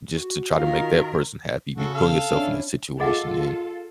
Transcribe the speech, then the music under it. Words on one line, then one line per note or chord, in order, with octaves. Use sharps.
just to try to make that person happy, be putting yourself in that situation, and
F#4
D#3 F4 A#4
C#3 F#4 A4
A4 F5 A5
C#4 D4 E4
F4 G#4 A4 D#5 F#5